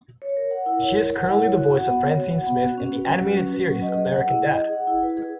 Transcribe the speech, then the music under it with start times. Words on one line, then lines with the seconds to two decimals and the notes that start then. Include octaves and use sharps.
She is currently the voice of Francine Smith in the animated series American Dad!
0.22 C#5
0.37 A#4
0.51 F#5
0.66 E4
0.81 C#5
0.96 A#4
1.11 F#5
1.27 E4
1.42 C#5
1.57 F#4
1.72 F#5
1.87 B3
2.01 C#5
2.17 F#4
2.32 F#5
2.46 B3
2.62 F#4
2.78 C#4
2.92 B4
3.07 F#3
3.22 F#4
3.37 C#4
3.52 B4
3.67 F#3
3.82 D#5
3.98 G#4
4.12 F#5
4.27 E4
4.43 D#5
4.57 G#4
4.73 F#5
4.87 E4
5.03 B4
5.17 G#4